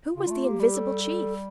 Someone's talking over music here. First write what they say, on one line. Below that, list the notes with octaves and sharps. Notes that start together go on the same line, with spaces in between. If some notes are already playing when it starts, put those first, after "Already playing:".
Who was the invisible chief?
C#3 F4
G3
A3
A#3 G4
G3
A4
A4